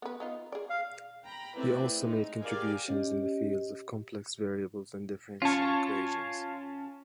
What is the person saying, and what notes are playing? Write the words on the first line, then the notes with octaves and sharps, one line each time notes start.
He also made contributions in the fields of complex variables and differential equations.
B3 B4
B3 D#4 F4
G#4 D5
F5
G5 A#5 B5
A3 C4 E4 B4 D5
G#3 D#4
G4 G#4 A#4 D5 F5 G#5
C#4 G4 D#5
C#4 F4 C#5 A5